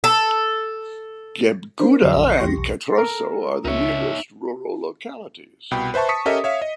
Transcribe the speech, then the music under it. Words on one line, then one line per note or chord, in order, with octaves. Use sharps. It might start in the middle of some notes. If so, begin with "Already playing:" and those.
Gebguda and Katroso are the nearest rural localities.
A4
D4 A#4 C5
F2 D3 F#3
A#1
E2 G4 C6 C#6 A#6
B1
A4 A#4
C#2 D#4 C#5 E5
C2 B2 G5 B5
B4 C5 E5 A5 C#6
A5 C#6 D#6 B6 C#7
C#4 G4 A4 A#4 D#5 E5
C#5 E5 F5
D#5